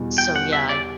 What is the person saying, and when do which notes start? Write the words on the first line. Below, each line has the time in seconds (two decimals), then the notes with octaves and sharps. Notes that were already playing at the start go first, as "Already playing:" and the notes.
So, yeah I
Already playing: E2 B2 G3
0.18 G5
0.36 F#5
0.53 E5
0.69 D5